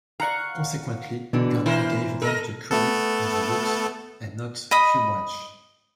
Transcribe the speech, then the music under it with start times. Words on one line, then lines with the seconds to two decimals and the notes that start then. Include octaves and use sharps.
Consequently, Gardner gave them the credit in the book and not Q Branch.
0.20 D5 F5 F#5 A#5 C#6
1.33 B2 D3 E3 D4
1.66 E3 E4 A#4 C5
2.22 A4 A#4 D#5
2.71 A3 B3 A4
4.71 D#5 B5 D#6